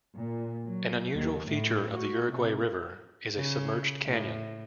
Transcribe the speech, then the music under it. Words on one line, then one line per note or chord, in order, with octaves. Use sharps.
An unusual feature of the Uruguay River is a submerged canyon.
A#2
F#3
D#2
A2
F#4
C3
C#3
A2